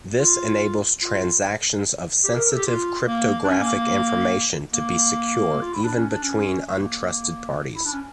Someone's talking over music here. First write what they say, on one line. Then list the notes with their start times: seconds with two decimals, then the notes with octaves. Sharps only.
This enables transactions of sensitive cryptographic information to be secure even between untrusted parties.
0.20 F4
1.02 F4
2.24 G4
2.35 A#4
2.45 A#4
2.51 A4
2.56 G4
2.67 F4
3.07 A#3
3.45 D4
3.49 C#4
3.62 A#3
3.75 A#3
4.72 A#3
5.62 F4
5.74 E4
5.85 D4
5.96 C#4
6.10 D4
6.23 C#4
6.69 A3
6.77 A#3
7.76 E4
7.85 D4
7.93 C#4